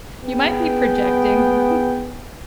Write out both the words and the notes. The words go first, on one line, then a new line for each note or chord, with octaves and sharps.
You might be projecting.
B3 G#4 G5